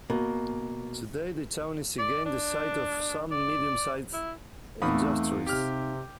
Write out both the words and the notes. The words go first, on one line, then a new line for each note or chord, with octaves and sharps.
Today the town is again the site of some medium-sized industries.
B2 A#3
D5
D4
D5
E4
E2 A3 C4 D#4 F5 B5 D#6
C3 G4 F6